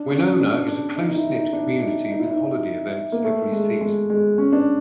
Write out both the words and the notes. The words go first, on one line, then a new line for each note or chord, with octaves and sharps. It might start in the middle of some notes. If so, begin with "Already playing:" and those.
Wenonah is a close-knit community with holiday events every season.
Already playing: D4
C#4
D4
D4
D#4
D#4
E4
D#4
D#4
D4
D#4
D#4
E4
D#4
A#3
A3
G#3
G#3
G#3
C#4
D4